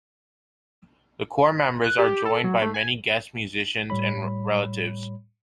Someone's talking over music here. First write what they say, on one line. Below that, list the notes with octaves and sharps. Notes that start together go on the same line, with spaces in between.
The core members are joined by many guest musicians and relatives.
F#6
G4
A4
F#3
A3
G#5
A2 G3 C#5 B5